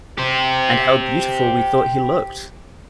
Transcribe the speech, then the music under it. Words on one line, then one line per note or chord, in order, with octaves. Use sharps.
And how beautiful we thought he looked!
G4 C5